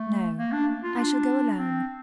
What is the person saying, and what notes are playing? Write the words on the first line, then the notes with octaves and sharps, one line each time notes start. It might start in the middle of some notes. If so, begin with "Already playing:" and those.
"No; I shall go alone."
Already playing: A3
A#3
D4
F4
D4
C4